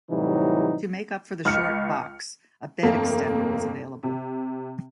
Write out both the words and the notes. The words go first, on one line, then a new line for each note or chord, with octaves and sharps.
To make up for the short box, a bed extender was available.
A2 C3 E3 F#3 G3 D#4
C#2 F6 C#7
G1 F2 A3 A#3
C3